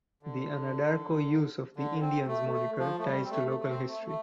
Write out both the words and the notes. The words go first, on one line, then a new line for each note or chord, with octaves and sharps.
The Anadarko use of the "Indians" moniker ties to local history.
D3
D3
C4
A3
A3
F3
A3
G3
C4
A3
A3
A3
C4
A3
A3